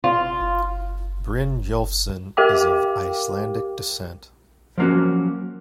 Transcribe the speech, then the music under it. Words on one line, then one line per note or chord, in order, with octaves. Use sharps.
Brynjolfsson is of Icelandic descent.
F4
G4 A#4 F5 G5 D6
F3 F#3 A#3 C#4 F#4